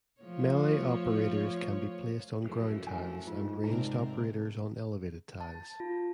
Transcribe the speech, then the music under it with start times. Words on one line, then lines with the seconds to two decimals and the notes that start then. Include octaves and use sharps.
Melee operators can be placed on ground tiles and ranged operators on elevated tiles.
0.22 F3 A3 C#5
2.43 F#2 E3 F3 A3
2.87 F#2 G#5
3.27 G#2 F4
3.64 C3 C4 D4 A#4 A#5
5.40 A5
5.80 F4